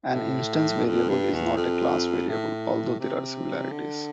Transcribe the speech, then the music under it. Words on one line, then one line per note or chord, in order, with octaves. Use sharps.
An instance variable is not a class variable although there are similarities.
A2
F2
G2
E2
F2
A2
C3
D3